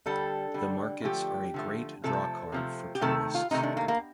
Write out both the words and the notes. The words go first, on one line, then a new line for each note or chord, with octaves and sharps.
The markets are a great drawcard for tourists.
D3 G3 A4
D3 G3
D3 F3 A3 G4
D3 F3 A3
C3 F3 A3 A4
C3 F3 A3
G4
C3 D#3 A3 A4
F4
C3 D#3 A3 D#4
D4
A#3
A#3